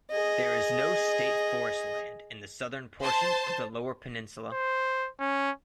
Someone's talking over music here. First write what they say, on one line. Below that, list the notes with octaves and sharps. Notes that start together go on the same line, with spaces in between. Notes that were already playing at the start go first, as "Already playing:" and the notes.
There is no state forest land in the southern portion of the Lower Peninsula.
G#4 D#5
C5 A5
C5
C#4